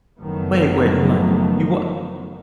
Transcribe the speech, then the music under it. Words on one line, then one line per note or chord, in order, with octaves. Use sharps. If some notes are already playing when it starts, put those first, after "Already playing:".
Wait, wait, hold on, you wha
F#1 D#3 F3 F#3 A3 B3